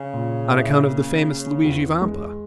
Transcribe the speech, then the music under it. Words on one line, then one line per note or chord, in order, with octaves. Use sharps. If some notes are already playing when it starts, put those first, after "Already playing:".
"On account of the famous Luigi Vampa."
Already playing: C#3 G#4
A#2
E4
A#3
C#4
E2
G#3